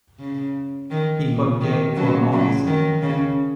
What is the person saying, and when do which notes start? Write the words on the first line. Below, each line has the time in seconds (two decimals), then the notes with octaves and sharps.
He got jailed for no reason.
0.19 C#3
0.91 D#3
1.26 A#2
1.61 D#3
1.96 C#3 F#3
2.32 C#3 F#3
2.67 D#3
3.02 C#3